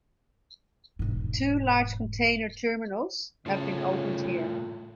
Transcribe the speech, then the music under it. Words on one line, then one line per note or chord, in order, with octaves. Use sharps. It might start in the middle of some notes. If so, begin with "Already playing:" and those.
Two large container terminals have been opened here.
E1 G#2
A2 C#3 F4 A4